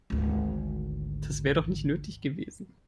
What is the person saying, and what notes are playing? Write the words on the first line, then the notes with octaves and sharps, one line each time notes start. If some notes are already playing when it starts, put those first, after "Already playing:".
Das wäre doch nicht nötig gewesen.
G#1 D2